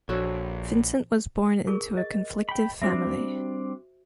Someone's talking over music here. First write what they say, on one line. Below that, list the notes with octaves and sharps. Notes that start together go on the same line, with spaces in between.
Vincent was born into a conflictive family.
A#1 F#4 A4 C#5
G#4 A#4 C#6
D#5
G5 B5
G3 C4 D4 F#4 C5 E5